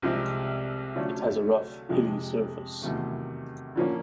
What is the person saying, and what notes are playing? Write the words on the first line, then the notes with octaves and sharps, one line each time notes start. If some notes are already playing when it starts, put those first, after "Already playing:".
It has a rough hilly surface.
C2 C3 F3 G#3 C4
D3 F#3 A3 C#4 F4
F2 C3 F3 G#3
E2 C3 D#3 F#3 A3
D3 F3 A#3 C#4